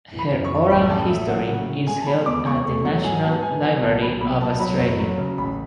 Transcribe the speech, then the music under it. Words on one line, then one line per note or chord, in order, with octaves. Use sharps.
Her oral history is held at the National Library of Australia.
E3
B5
F#2
C#6
F#2
A1 B5
A1 A5
F#3 E5
A2 F#5
C#3 F#5
C#3
G#3 G#5
A5
G#3 B5
E2 D6
E2 C#6
A3
F#3 F#5
G#2 G#5
B3 A5
B3 G#5
F#3 G#5
B1 A5
B1 B5
B1 B5
B1 A5
F#3 B5
F#1
F#3
C#3
A1 B5